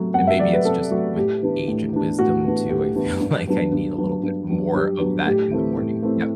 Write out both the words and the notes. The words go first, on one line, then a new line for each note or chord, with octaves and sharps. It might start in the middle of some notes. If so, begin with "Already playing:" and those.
and maybe it's just with age and wisdom too, I feel like I need a little bit more of that in the morning Yep,
Already playing: C3 F#3 A3
C3 F#5
E5
F#3 A3 D5
B4
C3 A4
F#3 A3 F#4
A2 G4
E3 B3 D4
A2
E3 B3 D4
A2 F#4
E3 B3 D4
A2 G4
E3 B3 D4
G2
F#3 B3 D4
G2
F#3 B3 D4
G2
F#3 B3 D4
G2 G4
F#3 B3 D4
A2 G4
E3 A3 C4 E4
A2
E3 A3 C4 E4